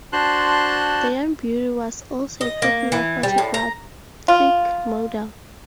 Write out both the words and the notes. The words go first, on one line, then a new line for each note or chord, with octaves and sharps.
The young beauty was also a popular photographic model.
D4 F#4 C5 A5 C6 F#6
D#5
A#3
E3
G3
A2
A#5
F4